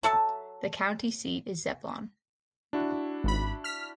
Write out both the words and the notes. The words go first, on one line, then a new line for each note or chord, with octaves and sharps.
The county seat is Zebulon.
F#3 A4 E5 A5
D4 E4 F#4
G#1 B5
F6 B6